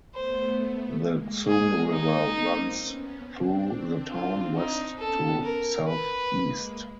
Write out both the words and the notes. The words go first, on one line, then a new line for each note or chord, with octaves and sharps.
The Xun River runs through the town west to southeast.
A3 B3 C5
G#3 A#3
G#3 A#3 G#4
D#4
A#3 C4
B3 C#4
C4 D4
F4
D#4
B3 C#4 A4
A#4
B4
G#3 A#3